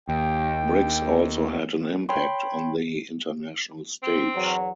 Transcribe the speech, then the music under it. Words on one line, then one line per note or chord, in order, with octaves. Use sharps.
Briggs also had an impact on the international stage.
D#2 G5
C#5 G5 B5 C6
C4
E2 F#3